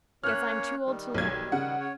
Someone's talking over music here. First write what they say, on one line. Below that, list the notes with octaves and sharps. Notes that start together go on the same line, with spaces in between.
Guess I'm too old to learn.
A#3 C#4 C#5 F6 F#6
D#3 G3
B1 G#6
C#3 F#5
C#5